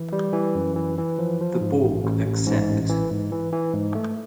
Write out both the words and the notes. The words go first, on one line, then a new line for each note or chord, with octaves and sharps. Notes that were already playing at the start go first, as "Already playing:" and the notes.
The Borg accept.
Already playing: E3
G3
E3
F#2
E3
E3
F3
F3
G#2
A1
A1
A1
G#2
A1
E3
G#2
E3
E3
G#2
A3